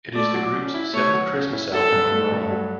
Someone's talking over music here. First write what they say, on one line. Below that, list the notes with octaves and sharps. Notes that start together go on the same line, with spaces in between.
It is the group's seventh Christmas album overall.
A3 D5
F#3
C#4
E4
A3 C#5
F#3
C#4
E4
F#3 A4
G2
A3
G2
F#3